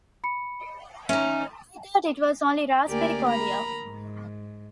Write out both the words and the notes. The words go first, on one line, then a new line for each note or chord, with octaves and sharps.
I thought it was only raspberry cordial.
B5 C#7
C#4 D#4 E5
D2 A#3 G4 A#4 D5 G#5
A#4 A#5 B5
G#2